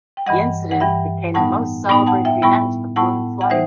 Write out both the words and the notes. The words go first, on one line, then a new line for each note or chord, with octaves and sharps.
The incident became the most celebrated event of Boone's life.
G5
G2 E3 G3 D#5 F#5
F#5
G2 E3 G3 E5 G5
A2 G3 B3 D#4 F#5 A5
A2 G3 B3 D#4 G5 B5
F#5 A5
E5 G5
A2 G3 B3 E4 G5 B5
A2 G3 B3 E4 F#5 A5
F#5
E3 G3 D#4 C5 E5